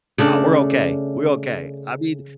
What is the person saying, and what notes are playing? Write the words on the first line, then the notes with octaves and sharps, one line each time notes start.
Oh, we're okay. We're okay. I mean
C#3 A3 D4